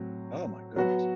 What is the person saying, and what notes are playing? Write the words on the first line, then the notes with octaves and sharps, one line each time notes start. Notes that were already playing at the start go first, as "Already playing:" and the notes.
Oh, my goodness.
Already playing: A2 F#3 C4
F#3 B3 F#4